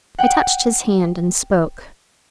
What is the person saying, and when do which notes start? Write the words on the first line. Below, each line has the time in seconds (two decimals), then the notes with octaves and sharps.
I touched his hand, and spoke.
0.18 F#5 G5